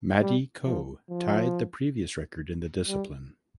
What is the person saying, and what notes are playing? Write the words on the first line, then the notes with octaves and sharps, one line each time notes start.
Madi Ko tied the previous record in the discipline.
G3
F3
F3
G3